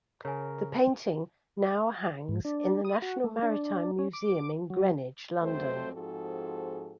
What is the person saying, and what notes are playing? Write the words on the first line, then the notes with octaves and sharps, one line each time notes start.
The painting now hangs in the National Maritime Museum in Greenwich, London.
C#3 A#4 C#5 G#5
G#2
D4
D#6
F#4
A3
D4
C#4
D6
F#3
F2 F#3 A3 C4 A4 C5
G#2 F3 C4 F#4 G#4 A4